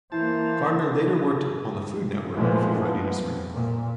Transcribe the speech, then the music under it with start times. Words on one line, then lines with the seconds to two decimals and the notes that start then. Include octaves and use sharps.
Gardner later worked on the Food Network before writing a screenplay.
0.12 E3 A#3 E4 C5 A5
2.36 A#2 E3 F3 G#3 A3 B3
2.71 B3
3.21 F2
3.53 A#2